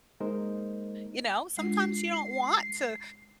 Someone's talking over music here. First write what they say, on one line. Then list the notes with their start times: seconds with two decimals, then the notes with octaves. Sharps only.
you know, sometimes you don't want to
0.20 G#3 A#3 D#4 A#4 C5 D#5
1.57 G#3 D4 F4 C7